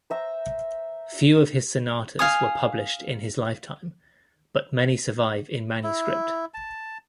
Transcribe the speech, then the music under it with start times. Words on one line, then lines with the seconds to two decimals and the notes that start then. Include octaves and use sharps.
Few of his sonatas were published in his lifetime, but many survive in manuscript.
0.10 C5 E5 A#5
2.19 F5 G#5 D#6
5.84 E4
6.54 A5